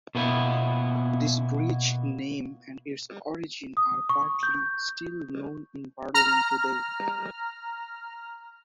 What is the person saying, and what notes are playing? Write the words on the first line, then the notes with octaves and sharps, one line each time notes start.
This bridge name and its origin are partly still known in Berlin today.
B2 A#3 B3 E4
D#6
C#6
G6
A#5 F6